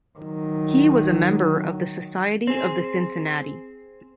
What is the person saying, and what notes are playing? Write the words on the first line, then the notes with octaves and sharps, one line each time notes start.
He was a member of the Society of the Cincinnati.
D#3 F#3
C4 G#4